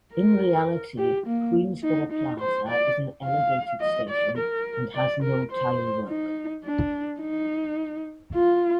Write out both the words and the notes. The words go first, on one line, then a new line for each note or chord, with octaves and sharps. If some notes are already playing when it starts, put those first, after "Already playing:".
In reality, Queensboro Plaza is an elevated station and has no tilework.
A#4
G4
A#3
D#4
D#4
C5
D5
F5
D#5
D5
A#4
D5
A#4
C5
D#4
D4
D#4
F4